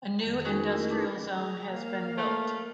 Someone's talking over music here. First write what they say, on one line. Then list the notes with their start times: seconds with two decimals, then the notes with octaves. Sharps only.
A new industrial zone has been built.
0.21 F2 D#3
0.45 G#3 C#4 D#4 F#4 G#4 A#4
0.69 A3 C#4 E4 G4 A#4
0.90 D#4 B4 A5 D6
1.32 G#4 A#5
1.72 A#3 F5
2.18 A3